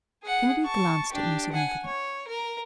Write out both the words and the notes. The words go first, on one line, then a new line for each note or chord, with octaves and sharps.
Kennedy glanced at me significantly.
G#4 F#5
A5 C#6
D4 G4
F#5 G#5
C#5
A#4